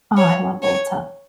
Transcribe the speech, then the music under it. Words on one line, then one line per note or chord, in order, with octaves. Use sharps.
Oh, I love Ulta.
C#5
C#5